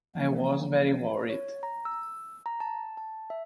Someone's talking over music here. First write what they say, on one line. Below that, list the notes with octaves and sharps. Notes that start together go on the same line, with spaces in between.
I was very worried.
E3 F3 A#3
C#5
A#5
E6
A#5
A5
A5
E5